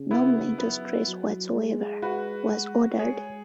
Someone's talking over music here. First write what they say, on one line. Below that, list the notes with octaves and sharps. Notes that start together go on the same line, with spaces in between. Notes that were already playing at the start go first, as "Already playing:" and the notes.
"No mental stress whatsoever" was ordered.
Already playing: C#3
B3 E4
F#3 B3
F#3
G#3
F#4 B4
G#3
G#3 G#4 C#5